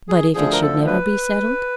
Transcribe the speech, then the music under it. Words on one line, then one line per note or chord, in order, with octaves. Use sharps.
"But if it should never be settled?"
G#4
D2 D3 F3 G#4
A#4
A4
B4